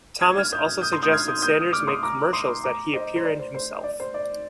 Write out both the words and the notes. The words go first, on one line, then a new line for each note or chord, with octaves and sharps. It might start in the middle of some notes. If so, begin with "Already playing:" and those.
Thomas also suggested Sanders make commercials that he appear in himself.
G#6
F6 G#6
D#6 G6
D#6 G6
C6 D#6
D#6 G6
F6 G#6
D#6 G6
D#6 G6
D#6
D6 F6
C6 D#6
A#5 D6
C6 D#6
A#5 D6
C5 D#5
C5
D5
C5
C5
D5
C5
D5